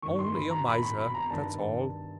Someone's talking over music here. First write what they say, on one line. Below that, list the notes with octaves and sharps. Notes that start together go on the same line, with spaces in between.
Only a miser; that's all.'
G2 D#3 C#6
C6
B5
A#5
B5
B5
B5
A#5
G2 D#3 A5